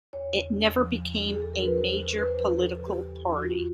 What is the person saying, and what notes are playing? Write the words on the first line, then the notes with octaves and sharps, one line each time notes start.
It never became a major political party.
E2 C#5
C#3
E2
F3
E2
C#3
G#4
E2
A4
F3 A#4
B4
E2 C5
C#3
E2 B4
C5
F3 B4
E2 A4
C#3
G4
E2
F3
F#4
F2 F4